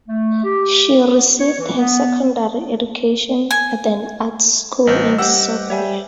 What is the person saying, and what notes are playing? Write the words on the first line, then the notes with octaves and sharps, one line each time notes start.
She received her secondary education at an arts school in Sofia.
A3
G4
B3
C#5
E3
B3
G#5
A1 G3 B4 C5 D#5 G6
G4 F#5 E6
G3 C#5 E5 G#5